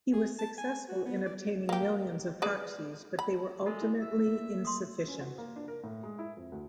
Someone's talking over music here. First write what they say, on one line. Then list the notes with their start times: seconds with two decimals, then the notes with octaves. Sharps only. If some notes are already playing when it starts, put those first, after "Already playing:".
He was successful in obtaining millions of proxies but they were ultimately insufficient.
0.14 G#4
0.39 A5
0.58 G#5
0.88 F#4
1.06 B3
1.26 D5
1.69 A#3 G4
2.42 G#4 B4 D5
3.19 B5
3.66 G#3 A4 A#4 D#5
3.82 E4
4.01 E5
4.28 A#3
4.65 C6 D#6
5.08 C#4
5.20 F#4
5.38 A#3
5.56 D4
5.68 A#4
5.84 A2
6.03 G#3
6.19 E4
6.37 F2
6.52 D2